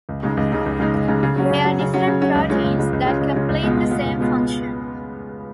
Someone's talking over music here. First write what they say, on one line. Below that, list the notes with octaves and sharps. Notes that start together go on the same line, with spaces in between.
They are different proteins that complete the same function.
C#2
C#3 G#3 D#4
C#2
C#3 G#3 D#4
C#2
C#3 G#3 D#4
C#2
C#3 G#3 D#4
C#3
F#3 C#4 F#4
C#3
F#3 C#4 F#4
C#3
F#3 C#4 F#4
C#3
F#3 C#4 F#4
C#2
C#3 G#3 C#4 F4
C#2
C#3 G#3 C#4 F4
C#2
C#3 G#3 C#4 F4
C#2
C#3 G#3 C#4 F4
C#2
B2 G#3 B3 F4
C#2
B2 G#3 B3 F4
C#2
B2 G#3 B3 F4